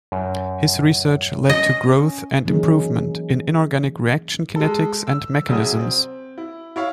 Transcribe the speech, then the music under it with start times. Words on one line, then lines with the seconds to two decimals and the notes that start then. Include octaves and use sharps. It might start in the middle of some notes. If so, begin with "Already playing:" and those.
His research led to growth and improvement in inorganic reaction kinetics and mechanisms.
0.12 F#2
1.50 C#4 D#5
2.45 E3 F#3 A#3 C#4 D#4 G#4
4.56 G#3 A4
5.07 E6
5.48 C2 F#3 G#4 D#6
5.79 C4
6.38 E4
6.76 E4 C#5 F5